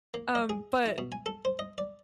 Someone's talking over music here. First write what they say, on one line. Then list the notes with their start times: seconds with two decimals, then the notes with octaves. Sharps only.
um, but,
0.14 A#3
0.35 D#5
0.49 G#4
0.86 E4
0.98 B2
1.12 G#5
1.26 A4
1.45 C5
1.59 D#5
1.78 D5